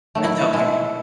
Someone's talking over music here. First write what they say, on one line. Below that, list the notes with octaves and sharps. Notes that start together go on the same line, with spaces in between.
It's okay.
D#3 F#3 A3
E4
B2 G#3 E4